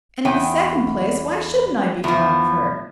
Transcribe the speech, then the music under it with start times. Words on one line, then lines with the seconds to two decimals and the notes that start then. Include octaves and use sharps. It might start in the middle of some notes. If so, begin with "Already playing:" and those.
"And, in the second place, why shouldn't I be fond of her?"
0.25 E2 G5 G#5
2.04 E2 F3